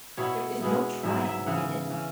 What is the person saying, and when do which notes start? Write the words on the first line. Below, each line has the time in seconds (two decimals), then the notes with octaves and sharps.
There is no triumph in it.
0.17 B2 B3 E4 C#5
0.60 B2 G#3 B3 E4
1.03 G#2 F#3 E4 E5
1.25 E5
1.46 C#3 E3 C#4 F#5
1.90 E3 C#4